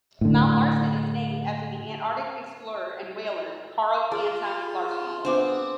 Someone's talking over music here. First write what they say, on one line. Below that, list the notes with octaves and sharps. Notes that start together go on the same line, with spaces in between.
Mount Larsen is named after the Antarctic explorer and whaler Carl Anton Larsen.
A2 D3
F4 G#4 D5
B3 C4 D4 C5 D6